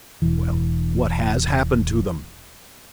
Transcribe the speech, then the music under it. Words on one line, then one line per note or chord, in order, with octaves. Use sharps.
"Well, what has happened to them?"
E1 E3